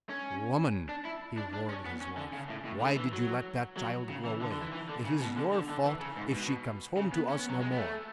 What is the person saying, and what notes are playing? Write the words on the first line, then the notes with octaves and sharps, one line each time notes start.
"Woman!" he roared at his wife, "why did you let that child go away? It is your fault if she comes home to us no more."
C#4
D4
E4
D4
D4
C#4
B3
C#4
D3
C#3
A2
A2
D3
E3
F#3
F#3
C#3
E3
D3
D3
E3
E3
D3
C#3
B2
D3
D3
D3
E3
C#3
G#2
B2
C#3
B3
C#4
B3
F#3
G#3
B3
A3